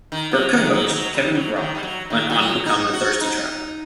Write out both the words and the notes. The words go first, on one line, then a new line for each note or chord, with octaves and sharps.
Her co-host, Kevin Brauch, went on to become "The Thirsty Traveler".
D#3
F#3
D#3
F#3
D#3
F#3
G3
F#3
D#3
G3
F#3
D#3
D#3
F#3
D#4
F#4
D#4